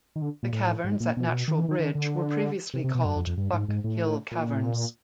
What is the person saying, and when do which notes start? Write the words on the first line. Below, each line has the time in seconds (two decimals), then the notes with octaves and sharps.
The Caverns at Natural Bridge were previously called Buck Hill Caverns.
0.16 D#3
0.22 D3
0.43 A#2
0.53 A2
0.84 G#2
1.00 A#2
1.17 B2
1.25 A#2
1.32 B2
1.48 D#3
1.58 E3
1.69 D#3
1.79 D#3
1.95 D3
2.74 C3
2.84 C3
2.95 B2
3.05 F#2
3.16 F2
3.27 F2
3.37 G2
3.53 G#2
3.68 G#2
3.84 A2
4.31 A#2
4.54 A2
4.63 A#2